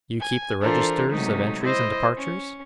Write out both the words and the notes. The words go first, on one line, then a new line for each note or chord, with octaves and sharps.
"You keep the registers of entries and departures?"
G#5
E3 D4 F4 A4 A#4 C5
C3 F#3 G#3 A3 D#4
E4 C5 D#5
C#4